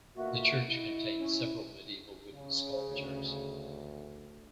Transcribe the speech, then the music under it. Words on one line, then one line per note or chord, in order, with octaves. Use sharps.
The church contains several medieval wooden sculptures.
D2 B2 A#3 F4 F#4 E5
E4 D#5
C#4
C#3
D2